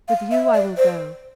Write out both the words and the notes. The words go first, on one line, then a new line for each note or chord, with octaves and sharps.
With you I will go.
F5
E5
D5
C5